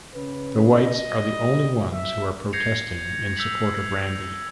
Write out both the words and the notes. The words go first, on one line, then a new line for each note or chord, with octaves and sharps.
The Whites are the only ones who are protesting in support of Randy.
C#3 C#4 B4
D#5
G3
E5
G6 G#6 A#6 C7 C#7 F7
E6 G6 B6 F7 F#7